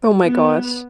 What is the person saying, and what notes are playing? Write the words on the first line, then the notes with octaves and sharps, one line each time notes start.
Oh my gosh.
B3